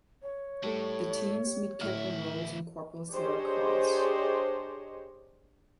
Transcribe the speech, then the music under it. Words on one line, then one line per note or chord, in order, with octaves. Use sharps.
The teens meet Captain Rhodes and Corporal Sarah Cross.
C#5
A2 G3 A3
G4
D2 A2 E4 F6
D4 G4 G#4 C5 C#5 D#5